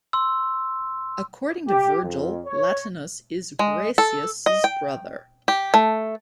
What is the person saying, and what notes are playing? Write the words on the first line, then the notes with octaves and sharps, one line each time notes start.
According to Virgil, Latinus is Graecus's brother.
C6 E6
G4
F2
C#5
G#3
A4
D#5
G5
G4
A3